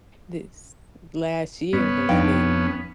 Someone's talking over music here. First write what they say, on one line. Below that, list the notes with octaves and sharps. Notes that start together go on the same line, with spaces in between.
this last year has been
G2 B3 C#4
F2 D4 D#4 B4 F5 G5